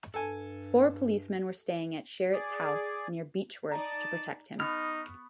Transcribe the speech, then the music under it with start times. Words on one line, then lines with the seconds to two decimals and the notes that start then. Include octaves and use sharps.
Four policemen were staying at Sherritt's house, near Beechworth, to protect him.
0.14 G2 A4 G#5
2.33 G#4 D5
3.72 D#4 D5 A5 A#5
4.60 B3 D#4 B5 C#6 F6